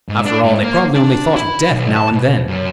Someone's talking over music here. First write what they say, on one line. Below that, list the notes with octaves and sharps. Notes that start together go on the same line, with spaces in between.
After all, they probably only thought of death now and then.
G#2
D4
G#2
A#3
D4
E4
B1
A5
B2
F#2